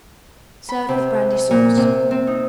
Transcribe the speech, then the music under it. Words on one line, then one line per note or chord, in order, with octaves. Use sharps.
Serve with brandy sauce.
B5
C3
A#2
C3
C4
D#4